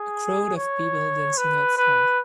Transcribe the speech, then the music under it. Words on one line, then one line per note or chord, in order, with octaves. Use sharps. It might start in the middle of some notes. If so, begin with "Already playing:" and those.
A crowd of people dancing outside.
Already playing: G#4
C#5
B4
B4